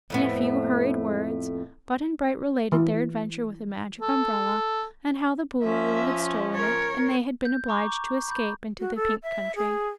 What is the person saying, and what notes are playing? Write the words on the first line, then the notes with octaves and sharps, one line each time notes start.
In a few hurried words Button-Bright related their adventure with the Magic Umbrella, and how the Boolooroo had stolen it and they had been obliged to escape into the Pink Country.
F2 A2 B3
E3
A4
F3 C#4 E5
A#4 C#5
G6
A#5 C#6 D6
B5 G6
F#4
A4
E5
G#4